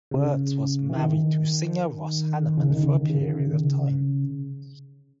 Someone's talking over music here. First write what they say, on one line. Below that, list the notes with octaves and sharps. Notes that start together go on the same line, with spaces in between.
Wirtz was married to singer Ross Hannaman for a period of time.
C#3
E3
D#3
C#3
D#3
C#3
D#3
C#3
D#3
C#3
D#3
C#3